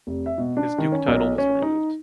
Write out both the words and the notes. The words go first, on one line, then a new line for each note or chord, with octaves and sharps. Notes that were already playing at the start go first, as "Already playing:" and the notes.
His duke title was removed.
F1
E5
B2
D4
D#3
C#4
B1
C#4
D#4